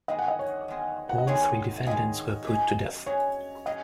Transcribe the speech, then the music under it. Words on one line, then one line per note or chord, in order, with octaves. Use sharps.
All three defendants were put to death.
D#3 G#3 B3 G#4 D#5
F#5
D#5
C#5
D#3 G#3 B3 G#4
F#5
D#5
D#3 G#3 B3 G#4 C#5
D#3 G#3 B3 G#4 D#5
F#2 F#3 C#4 G#4
F#2 F#3 C#4 G#4 C#5
F#3 C#4 G#4 D#5